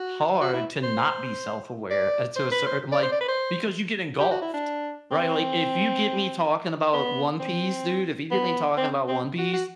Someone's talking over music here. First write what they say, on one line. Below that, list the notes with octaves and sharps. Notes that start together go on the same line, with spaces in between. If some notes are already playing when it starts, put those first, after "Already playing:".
hard to not be self-aware, uh, to a certai like, because you get engulfed. Right? Like, if you get me talking about One Piece, dude, if you get me talking about One Piece,
Already playing: F#4
F#4
E4
C5
D5
C5
B4
C5
D5
C5
D5
B4
C5
G4
F#4
E4
D4
C4
B3
C4
B3
C4
C4
F#4
F#4